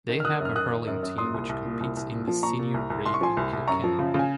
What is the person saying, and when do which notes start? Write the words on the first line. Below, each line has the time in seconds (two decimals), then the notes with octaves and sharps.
They have a hurling team which competes in the Senior grade in Kilkenny.
0.09 D#3
0.20 F6
0.25 D#3 D#6 F#6
0.40 F#2 F6
0.55 D#3 D#6 F#6
0.71 D#3
0.87 F#2
1.02 F#2
1.18 A#2 C6 D#6
1.34 C2
1.49 C2
1.65 A#2
1.80 C2
1.97 C2
2.12 A#2
2.28 F3
2.43 A#2 A#5 C#6
2.59 A#2
2.74 C2
2.90 C2
3.06 C2 C6
3.14 C#6
3.21 F3 G#5 C6
3.37 C2
3.53 C2
3.68 F#2 A#5 C#6
3.84 F3
3.99 C#3
4.14 C#3 G#5